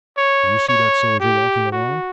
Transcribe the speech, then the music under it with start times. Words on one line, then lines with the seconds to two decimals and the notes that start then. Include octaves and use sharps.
Do you see that soldier walking along?
0.17 C#5
0.68 C#5
1.20 G4
1.72 F#4